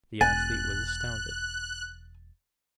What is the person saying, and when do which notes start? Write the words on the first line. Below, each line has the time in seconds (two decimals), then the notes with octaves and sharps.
The athlete was astounded.
0.21 E1 G#5 F#6 A6